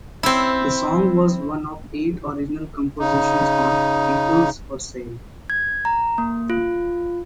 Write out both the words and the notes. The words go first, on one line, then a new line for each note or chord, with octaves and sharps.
The song was one of eight original compositions on "Beatles for Sale".
C4 E4
C#3 D#4
G#6
A#5
A#3
F4